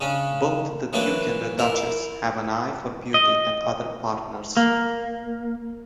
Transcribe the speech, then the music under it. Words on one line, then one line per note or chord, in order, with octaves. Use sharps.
Both the Duke and Duchess have an eye for beauty and other partners.
C#3 C#4 D4
E3 F#3 A#3 D4 B4
E4 A#4
D#5
A#3